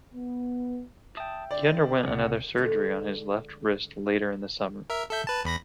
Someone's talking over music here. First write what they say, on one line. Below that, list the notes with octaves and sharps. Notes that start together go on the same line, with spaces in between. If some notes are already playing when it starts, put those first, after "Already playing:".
He underwent another surgery on his left wrist later in the summer.
B3
E5 G5 A5 D#6
D3 D5
C#2 C3 G#4 A#4 F#5
D3 G#3 A3 F4
A#4 E5
A4 E5 G6
B4 A5
E2 B5 A#6